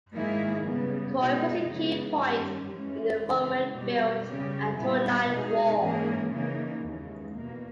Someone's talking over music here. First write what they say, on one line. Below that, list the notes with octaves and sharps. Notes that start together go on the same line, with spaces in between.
Croy was a key point in the Roman built Antonine Wall.
G#2 D#3 A#3 E4 G#4
C#3 G3 B3
B2 G#3 D#4
C#3 E3 G#3 B3
G2 D#3 G3 C#4 G4
G#2 E3 G#3 C#4
C#3 E3 G#3 C#4
B2 G3 B3 G4
C#3 G3 C#4 G4
A#2 G3 B3 E4
B2 G#3 D#4 G#4
G#2 E3 A#3 C#4 G#4
C#3 E3 A#3 D#4
D#2 C#3 E3 G#3
E2 B2 A#3